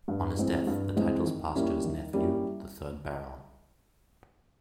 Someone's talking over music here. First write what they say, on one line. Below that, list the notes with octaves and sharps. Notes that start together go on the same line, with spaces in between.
On his death the titles passed to his nephew, the third Baron.
G2
E3 G#3 C4
G2
E3 G#3 C4
D#3
G3 A#3 C#4 E4
D#3
G3 A#3 C#4 E4